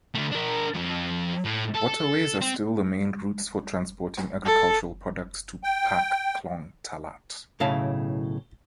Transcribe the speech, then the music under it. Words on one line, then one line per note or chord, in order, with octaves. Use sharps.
Waterways are still the main routes for transporting agricultural products to Pak Khlong Talat.
D3 A3
D4 A#4
F2 F3
A2
A4
C4
A4
G5
B1 A2 C#3 E4 F5 A5